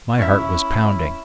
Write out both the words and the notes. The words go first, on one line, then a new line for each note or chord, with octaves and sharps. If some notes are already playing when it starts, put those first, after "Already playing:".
My heart was pounding.
C#4 E4 E5